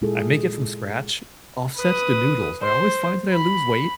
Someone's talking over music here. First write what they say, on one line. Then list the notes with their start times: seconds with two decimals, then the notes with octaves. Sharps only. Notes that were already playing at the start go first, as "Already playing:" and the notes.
I make it from scratch, offsets the noodles, I always find that I lose weight
0.01 A#2 G#3 E4 F4 G#4 A4
1.77 B4 D#6
2.62 C5
3.33 B5